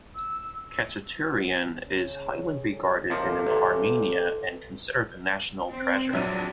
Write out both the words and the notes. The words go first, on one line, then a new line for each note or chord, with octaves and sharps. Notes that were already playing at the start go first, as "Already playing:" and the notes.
Khachaturian is highly regarded in Armenia and considered a "national treasure".
E6
C#3 C#4
G3 C#4 A4
D#2 C3 F3 A4
A1 D2 A#2
C4
A#1 F#3 D4 D#7